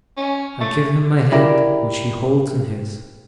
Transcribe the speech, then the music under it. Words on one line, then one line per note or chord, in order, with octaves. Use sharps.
I give him my hand, which he holds in his.
C#4
A3
E4 G4 A#4 D5